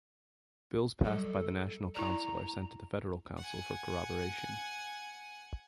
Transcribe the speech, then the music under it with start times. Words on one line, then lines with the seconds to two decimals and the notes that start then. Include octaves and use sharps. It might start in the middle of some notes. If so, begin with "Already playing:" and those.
Bills passed by the National Council are sent to the Federal Council for corroboration.
1.04 F#3 G3 A4
1.95 E4 D5 A#5
3.37 F#5 G#5